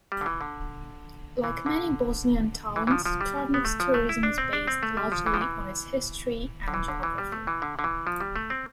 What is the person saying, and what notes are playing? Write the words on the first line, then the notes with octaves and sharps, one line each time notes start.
Like many Bosnian towns, Travnik's tourism is based largely on its history and geography.
G3
D3
E3
D3
E3
D3
E3
E3
F3
F3
G3
B3
A3
F3
A3
E4
D4
C4
D4
C4
A3
G3
F3
E3
F3
E3
D3
E3
D3
E3
G3
A3
E3
D3
D3
E3
F3
G3
A3
C4